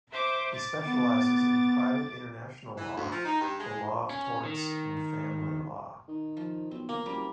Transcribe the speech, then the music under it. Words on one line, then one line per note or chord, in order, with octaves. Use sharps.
He specialises in private international law, the law of torts and family law.
C5 E5 D6
D6 A6
B3
E3
D2
F3
D#4
G2
G#3
C#4
D#3
D#3
F3
B1 C4
A#3
F#1 G3